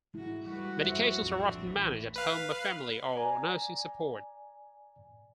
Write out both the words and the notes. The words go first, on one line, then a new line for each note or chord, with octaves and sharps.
Medications are often managed at home by family or nursing support.
G#2 G#3 E4 F#4
G3 A3 F#4 G4 B4
F2 G#2 C5 E5
A#1 F2 A2 C4 D4
A1 E3 A3
B4 F5
D5 G#5 A#5